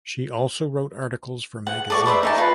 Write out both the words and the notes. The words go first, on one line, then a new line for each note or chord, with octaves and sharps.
She also wrote articles for magazines.
F#5
A4 D5 C#6
B4 C5 D5 E5
D#4 A#4 A5
F4 B4